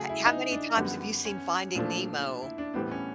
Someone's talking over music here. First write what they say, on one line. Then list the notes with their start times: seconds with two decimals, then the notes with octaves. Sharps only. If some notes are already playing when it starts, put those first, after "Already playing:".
He how many times have you seen Finding Nemo?
Already playing: C#3 F#3 A3 G#4
0.09 E4
0.26 D#4
0.52 D4
0.76 F#2 D3 G3 B3
1.25 C#4
1.75 A#2 F3 A3 D4
2.42 E4
2.58 D4
2.74 A2 E3 G3 B3 C4
2.91 C#4